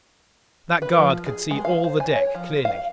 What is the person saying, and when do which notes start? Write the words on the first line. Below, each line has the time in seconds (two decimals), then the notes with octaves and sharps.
That guard could see all the deck clearly.
0.82 B4
0.98 F3
1.26 G#4
1.51 G#3
1.65 F5
1.84 C5
2.00 G#5
2.15 C#5
2.34 F3
2.65 F5